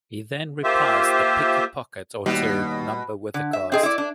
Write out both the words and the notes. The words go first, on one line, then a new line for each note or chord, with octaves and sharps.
He then reprised the "Pick a Pocket or Two" number with the cast.
A#3 F4 G4 C5 E5
D#2 B2 G3
D3
E5
C4 G#4 D#5
E4 D5
D4